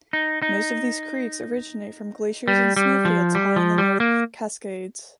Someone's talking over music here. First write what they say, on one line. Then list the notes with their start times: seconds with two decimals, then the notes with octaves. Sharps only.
Most of these creeks originate from glaciers and snowfields high in the North Cascades.
0.13 D#4
0.42 D#4
2.48 G3
2.76 G3
3.05 F3
3.35 G3
3.56 F3
3.78 G3
4.00 A#3